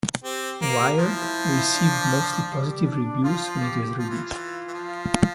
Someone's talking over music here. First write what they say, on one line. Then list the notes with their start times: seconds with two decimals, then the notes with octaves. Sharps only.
"Wired" received mostly positive reviews when it was released.
0.24 C4 G4
0.62 A#3
0.99 F3 E4
1.74 D4
2.49 G3
2.86 D4
3.24 F3 F4
3.61 G4
3.98 F3 F4
4.10 E3
4.32 E3
4.68 E3
4.74 F3